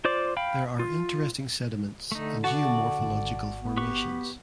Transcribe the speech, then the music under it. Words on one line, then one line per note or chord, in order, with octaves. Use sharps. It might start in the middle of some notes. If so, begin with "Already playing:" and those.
There are interesting sediments and geomorphological formations.
F4 C5 D5 D6
F5 G5 B5
F4
D3 A3 D#4
F#4 D5 A5
G#1
B3
G4 B4 C#6